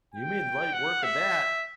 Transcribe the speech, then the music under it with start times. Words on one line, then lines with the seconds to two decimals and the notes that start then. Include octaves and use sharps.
You made light work of that!
0.14 G5
0.73 F#5
1.03 E5